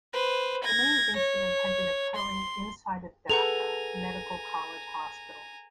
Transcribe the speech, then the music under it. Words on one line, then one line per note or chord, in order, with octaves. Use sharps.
The main incident had been occurring inside of Dhaka medical college hospital.
B4 C5
G#6 A#6
C#5
C6
G#4 A4 B4 F#5 G#5 A#5 F7